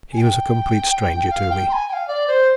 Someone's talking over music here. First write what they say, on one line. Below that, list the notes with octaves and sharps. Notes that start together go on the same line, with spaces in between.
He was a complete stranger to me.
G#5
G5
F5
G5
C6
G#5
G5
F5
D5
C5